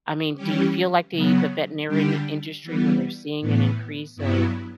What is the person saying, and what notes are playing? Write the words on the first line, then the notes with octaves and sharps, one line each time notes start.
I mean, do you feel like the the veterinarian n industry, when they're seeing an increase of
E3 G3 C#4 G4
C#3 F#3 B3
D3 G3 D4 G4
E3 G3 B3
A2 E3 B3
G2 F#3 B3 E4